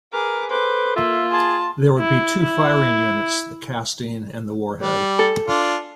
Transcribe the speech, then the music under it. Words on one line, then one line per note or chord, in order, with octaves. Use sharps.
There would be two firing units, the casting and the warhead.
G#4 A#4 B4 D6
A4 B4 C5 D6
A#3 F4 E5
G#4 A5 C6
E4
E4
G3
A4
D4 F4